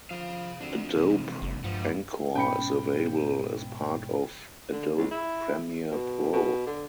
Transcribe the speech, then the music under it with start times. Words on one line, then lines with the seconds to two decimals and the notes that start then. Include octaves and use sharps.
Adobe Encore is available as part of Adobe Premiere Pro.
0.11 F3 G#4 F5
0.60 F2 D4 F#4
0.96 C3 E3 G#3
1.42 F#1
1.64 G2 F3 G#3 A3 F#5
2.35 G#2 B2 C#4 G5 B5 C#7
4.72 D3
4.97 C#2
5.11 E4
5.91 B2
6.33 B2
6.67 D3